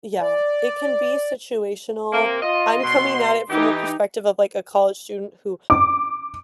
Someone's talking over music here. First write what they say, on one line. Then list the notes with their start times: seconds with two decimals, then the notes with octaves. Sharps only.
Yeah. It can be situational. I'm coming at it from a perspective of, like, a college student who
0.21 D5
2.13 C3 A#3
2.43 F4 D#5
2.83 B2 C6
3.50 E3 D#4 G4
5.70 D6